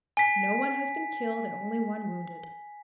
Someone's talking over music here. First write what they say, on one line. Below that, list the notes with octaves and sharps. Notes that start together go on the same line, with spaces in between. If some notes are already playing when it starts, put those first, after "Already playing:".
No one has been killed and only one wounded.
G#5 B6